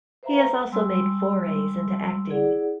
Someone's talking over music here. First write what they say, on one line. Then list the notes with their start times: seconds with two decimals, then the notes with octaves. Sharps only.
He has also made forays into acting.
0.23 B4 C5 E5 F5 A#5 B5
0.72 G3 G#3 B5 C6 E6
2.30 E4 G#4 D5 F#5